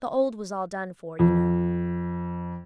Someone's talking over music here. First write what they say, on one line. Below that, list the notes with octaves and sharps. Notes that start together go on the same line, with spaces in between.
The old was all done for, you know.'
F2